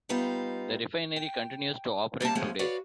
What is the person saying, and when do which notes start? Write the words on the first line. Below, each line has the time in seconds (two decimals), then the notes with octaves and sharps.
The refinery continues to operate today.
0.09 G3 B3 D#4 F4
1.16 G5
2.20 G3 A#3 C4 A5
2.35 D#2 F3 G#3 A3 B3 C#4
2.59 F#4 B4 C#5 D5 F5